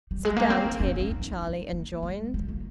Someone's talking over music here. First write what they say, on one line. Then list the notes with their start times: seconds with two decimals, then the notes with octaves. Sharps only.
"Sit down, Teddy," Charlie enjoined.
0.11 G3
0.25 G#3
0.37 A#3
0.50 C4
0.65 D#4
0.80 C#4
0.96 C#4
1.11 D#4
1.42 D#4
1.73 A#3
2.03 G#3
2.34 G#3
2.48 A#3